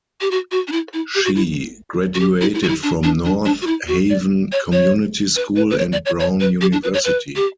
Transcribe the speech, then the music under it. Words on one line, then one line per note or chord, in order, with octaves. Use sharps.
She graduated from North Haven Community School and Brown University.
G4
F#4
F#4
D4
E4
E4
G4
F#4
E4
F#4
G4
E4
E4
F#4
E4
D4
D4
D4
D4
F#4
E4
F#4
D5
C#5
C#5
B4
B4
B4
C#5
D5
C#5
C#5
B4
G4
D4
B4
C#5
B4
G4